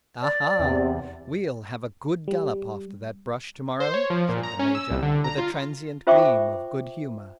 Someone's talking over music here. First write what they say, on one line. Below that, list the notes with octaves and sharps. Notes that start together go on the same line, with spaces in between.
"Aha, we'll have a good gallop after that brush to-morrow," said the Major, with a transient gleam of good humour.
D5
E2 C3
G3
C5
C#5
F3
A#2
A#5
C#4
E6
C2
D3
A#5
F4
F4 C5 E5 G5 C#6 D6